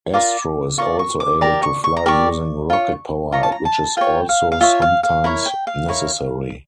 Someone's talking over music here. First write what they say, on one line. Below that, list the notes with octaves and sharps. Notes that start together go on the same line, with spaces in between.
Astro is also able to fly using rocket power, which is also sometimes necessary.
F4 A#4 D5 D6
F4 A#4 D5 C#6
C#6
D6
G4 A#4 D5 A#5
C#6
C#6
A#5
G4 A#4 D5 C#6
F4 C#5
F4 C#5 A#5
A5
A#5
A5
F4 C#5 G5
F5
F5
F4 C#5 E5
F5
F5
E4 A#4 C#5
G5
F5
E4 A#4 C#5